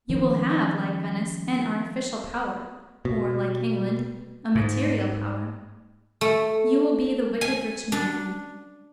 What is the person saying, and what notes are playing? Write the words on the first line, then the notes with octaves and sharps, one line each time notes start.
You will have, like Venice, an artificial power, or, like England, a material power; you will be the wicked rich man.
D#3 F3 C#4
B2
G#2
A3
G#5
D4